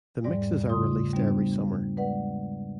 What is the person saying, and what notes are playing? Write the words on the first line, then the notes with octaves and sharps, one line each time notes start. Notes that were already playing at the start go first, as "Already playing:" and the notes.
The mixes are released every summer.
E2 G#2 G3 D5
C#3 A3 F4 C6 D#6
G3 B3 D4 C5
G#3 B4 D5 F#5